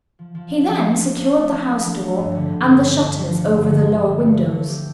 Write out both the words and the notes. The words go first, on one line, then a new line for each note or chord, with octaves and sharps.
He then secured the house door, and the shutters over the lower windows.
F3
F3
D4
F3
D4
F3
D4
A3
A3
D4
F3
A3
G2
D3
G2
G2
F3
G2
F3
D3
G2
D3
F3
G2
A3
A3
A3
G4